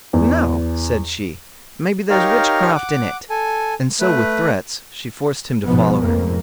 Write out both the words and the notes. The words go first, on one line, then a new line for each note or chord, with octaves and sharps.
'No', said she, 'maybe there's witchcraft in it'; and so with threats she forced him to follow her.
E2
D#4 G4 A#4 C#5 F5
F#5 D6
A4 G#5
A3 B4
G#1 G#2 B2 F3 B3
F1 F2 G#2 A#3